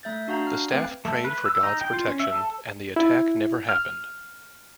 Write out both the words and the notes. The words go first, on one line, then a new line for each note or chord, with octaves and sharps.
The staff prayed for God's protection, and the attack never happened.
A3 E5 G6 A6
D4 F#4 F5 A#5
F6
A3 C4 B4 F5 G5 G#6
A3
B4
E6
D#4
G5
F4
C#4
E5
A4
E4
F6